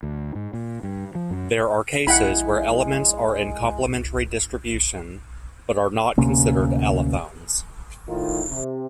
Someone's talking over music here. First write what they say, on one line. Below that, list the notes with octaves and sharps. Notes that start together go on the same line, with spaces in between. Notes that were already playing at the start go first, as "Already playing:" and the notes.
There are cases where elements are in complementary distribution, but are not considered allophones.
D2
G#2
A#2
G2
F3
F#2
A#1 G#3 E4 F#5 G5 B5
D2 C3 A#3 C#4
A2 D#3 D#4 F4
C3